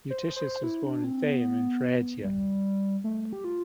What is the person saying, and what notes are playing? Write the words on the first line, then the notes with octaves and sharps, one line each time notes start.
Eutychius was born at Theium in Phrygia.
C5
C5
E4
D4
C4
B3
G3
A3
G4
F4